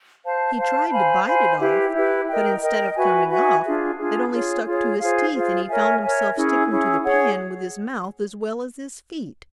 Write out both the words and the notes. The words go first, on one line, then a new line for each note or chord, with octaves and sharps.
He tried to bite it off, but instead of coming off, it only stuck to his teeth and he found himself sticking to the pan with his mouth as well as his feet.
C5 F5 A5
C5 F5 A5
C5 F5 G#5 B5
C5 F5 G#5 B5
E4 G4 B4
E4 G4 B4
A#4 D#5 G5
A#4 D#5 G5
F#4 B4 E5 G#5
F#4 B4 E5 G#5
D4 F4 G#4
D4 F4 G#4
F4 G#4 C#5
F4 G#4 C#5
F4 G#4 C5 F5
F4 G#4 C5 F5
A#4 C#5 E5 G#5
A#4 C#5 E5 G#5
C#4 E4 G#4
C#4 E4 G#4
G#4 C#5 F#5